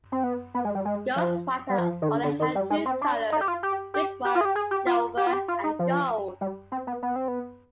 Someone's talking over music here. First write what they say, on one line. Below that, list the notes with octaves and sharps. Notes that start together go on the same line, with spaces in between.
Ghostwriter only had two colors, which were silver and gold.
C4
B3
B3
G#3
G3
G#3
F3
G3
F3
D#3
D3
D3
D#3
G3
G#3
C4
D4
D#4
G4
F4
G4
G4
G4
F4
G#4
G4
G#4
G4
F4
G4
F4
G4
F4
D#4
F3
G3
C4
B3
B3
C4
B3